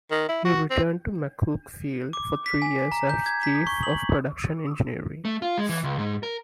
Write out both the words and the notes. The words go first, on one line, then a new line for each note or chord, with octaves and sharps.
He returned to McCook Field for three years as chief of Production Engineering.
D#3
E4
F#4
C4
D6
B6
G#5
A#5
G6
G#6
B6
C#6
F#7
A3
F4
G#3
E3
C#2
G#2
A#4